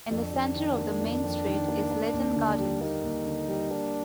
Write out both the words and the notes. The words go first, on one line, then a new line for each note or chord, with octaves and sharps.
In the centre of the main street is Leighton Gardens.
F2 D4
F2
D#3
A#3
F2
F2
D#3
A#3
A#3
D#2
D3
G3
A#3 D#4
D#2
D3
G3
A#3 D4